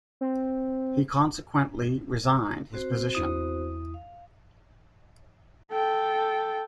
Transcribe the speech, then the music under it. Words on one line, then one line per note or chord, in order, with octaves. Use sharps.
He consequently resigned his position.
C4
C4 F#4 C5
E2 E4 D#6
F5
A4 G5